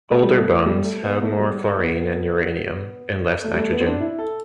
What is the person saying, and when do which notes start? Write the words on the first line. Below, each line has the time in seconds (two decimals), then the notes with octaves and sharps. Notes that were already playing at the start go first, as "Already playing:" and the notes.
Older bones have more fluorine and uranium and less nitrogen.
0.10 A3
0.24 G3
0.32 B3
0.38 A3
0.52 A3
0.66 G3
0.84 A3
1.03 B3
1.22 A3
1.39 G3
1.77 B3
3.44 A3
3.54 G3
3.58 A3
3.72 B3
3.80 C4
3.87 D4
4.00 E4
4.18 A4